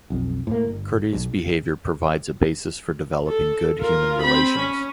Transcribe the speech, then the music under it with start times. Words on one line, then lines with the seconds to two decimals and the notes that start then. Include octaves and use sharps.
Courteous behavior provides a basis for developing good human relations.
0.10 B1 F2
0.47 A2 A#3
0.64 G1
1.13 B1
3.27 A4
3.80 F4 A#4
4.23 C4 B5
4.59 C#4